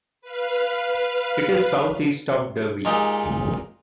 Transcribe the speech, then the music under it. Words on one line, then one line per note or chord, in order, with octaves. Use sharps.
It is south east of Derby.
B4 F5
A#2 G#3 D#4 G4